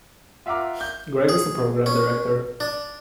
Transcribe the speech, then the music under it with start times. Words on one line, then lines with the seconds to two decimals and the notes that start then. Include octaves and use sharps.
Greig is the Program Director.
0.46 F4 E5 F#5 A#5 D6 F6
0.81 G6
1.29 G#4
1.86 C#4
2.60 D4